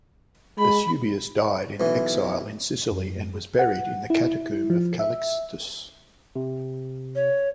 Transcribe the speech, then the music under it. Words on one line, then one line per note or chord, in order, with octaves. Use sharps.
Eusebius died in exile in Sicily and was buried in the catacomb of Callixtus.
G#3 B5
B1 E3
F#2
F#5
E4
F3
E5
C3
C#5